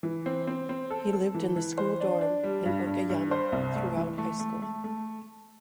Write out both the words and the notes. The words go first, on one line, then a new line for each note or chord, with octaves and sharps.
He lived in the school dorm in Okayama through out high school.
E3
C4
C4
C4
A4
A4
E3
E3
C5
D4
D4
G3
G2
G2
G2
C5
C2
A3
E3
A3
A3
A3
A3